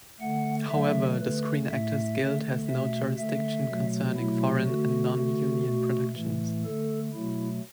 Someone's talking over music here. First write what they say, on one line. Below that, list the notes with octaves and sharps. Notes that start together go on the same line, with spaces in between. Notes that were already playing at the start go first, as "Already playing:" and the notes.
However, the Screen Actors Guild has no jurisdiction concerning foreign and non-union productions.
D3 A3 F#5
D3 F#3 A3 E5
D3 A3 B4
A2 A3 E5
D3 A3
B2 A3 E5
D3 A3 E5
B2 F#3 A3
B2 F#3 A3 E4
D3 A3 F#4
D3 A3
B2 A3
A2 E3 A3
D3 A3 A4
B2 F#3 A3 E4